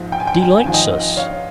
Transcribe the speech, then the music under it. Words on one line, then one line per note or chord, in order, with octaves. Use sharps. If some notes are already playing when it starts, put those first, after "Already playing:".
Delights us.
Already playing: A#1 G#2 F3
G5
G#5
G5
G#5
G5
G#5
G5
G#1 G#2 F3 G#5
D#5 G5
C#5 F5